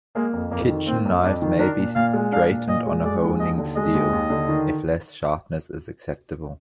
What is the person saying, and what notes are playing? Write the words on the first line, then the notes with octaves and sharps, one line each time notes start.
Kitchen knives may be straightened on a honing steel if less sharpness is acceptable.
G#3 A#3
F2
F2 A#3
D#3
A#3 C4
F2
F2 D4
D#3
D4 A#4
A#2
A#2 F5
G#3
D4 F5
A#2
A#2 D#5
G#3
G#3 D5
D#2
D#2 D#5
D3
G#3 D#5
D#2
D#2
D3
D#3